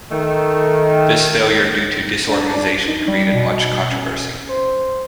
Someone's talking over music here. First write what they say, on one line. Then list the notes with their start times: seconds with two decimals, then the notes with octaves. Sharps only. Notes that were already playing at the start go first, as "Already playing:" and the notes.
This failure due to disorganization created much controversy.
0.10 D#3 A3
2.28 D4
2.87 D#4
3.08 G3
3.34 B2
3.92 C#4
4.49 C5